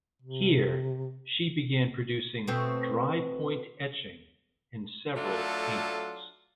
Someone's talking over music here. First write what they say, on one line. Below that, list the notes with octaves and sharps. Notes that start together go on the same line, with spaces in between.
Here she began producing drypoint etchings and several paintings.
C3
B2 A3 C4
F#3 A3 D4 F4 A4